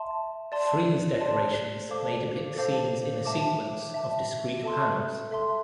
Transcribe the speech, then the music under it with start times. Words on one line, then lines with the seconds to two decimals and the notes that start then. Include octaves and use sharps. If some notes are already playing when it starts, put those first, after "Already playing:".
Frieze decorations may depict scenes in a sequence of discrete panels.
Already playing: E5 A5 C6
0.52 D5 A5 C6
1.20 D5 A5 C6
1.89 A4 C5 F5 A5 D6
2.57 A4 C5 F5 A5 D6
3.25 E5 A5 D6
3.94 E5 A5 D6
4.63 A4 E5 A5 C6
5.31 A4 E5 A5 C6